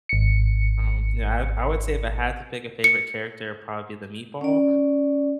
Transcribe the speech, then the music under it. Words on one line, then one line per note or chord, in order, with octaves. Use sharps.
um, you know, I I would say if I had to pick a favorite character, it'd probably be the meatball,
G#1 C#7
C#7
C#4 D5